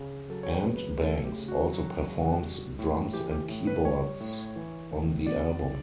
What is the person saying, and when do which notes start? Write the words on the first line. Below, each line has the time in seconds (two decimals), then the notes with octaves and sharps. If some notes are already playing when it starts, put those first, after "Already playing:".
Ant Banks also performs drums and keyboards on the album.
Already playing: C#3
0.30 F#3 A4
0.43 C#5
0.53 B4
0.65 C#3
0.77 B4
1.00 A3 A4
1.25 G4
1.36 C#3
1.48 F#4
1.71 F#3
2.07 C#3
2.43 G3
2.79 A2
3.13 E3 G4
3.32 G4
3.49 A2
3.67 B4
3.85 G3 C#5
4.20 A2
4.56 E3
4.91 A2
5.26 B3 D5
5.62 C#3